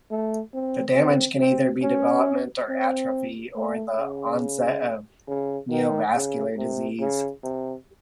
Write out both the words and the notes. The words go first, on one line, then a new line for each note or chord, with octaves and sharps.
The damage can either be development of atrophy or the onset of neovascular disease.
A3
C4
C4
C4
C#4
C4
A3
C#3
C#3
D#3
C#3
C3
C#3
C3